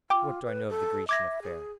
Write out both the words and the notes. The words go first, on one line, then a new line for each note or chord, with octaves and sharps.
What do I know of the Grecian affair?
F4 G5 D6
B4
A4
E5 D6 G#6 A#6
G#4